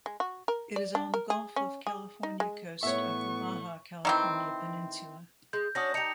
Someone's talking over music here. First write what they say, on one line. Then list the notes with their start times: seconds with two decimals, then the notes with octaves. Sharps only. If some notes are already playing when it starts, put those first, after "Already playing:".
It is on the Gulf of California coast of the Baja California Peninsula.
0.06 G#3
0.20 F#4
0.48 A#4
0.76 D5
0.95 D4
1.14 A#4
1.30 G#4
1.56 C#4
1.87 G#4
2.23 D#4
2.40 G#3
2.83 A2 B3 C#5 E5 C#6
4.05 D#3 E3 C4
5.53 G#3 G6
5.75 C#4 D4 F#4 D#6 A#6
5.94 D#4 G4 A5 C#7 F7